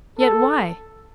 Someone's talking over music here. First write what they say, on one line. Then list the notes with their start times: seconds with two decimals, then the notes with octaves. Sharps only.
Yet why?
0.19 A4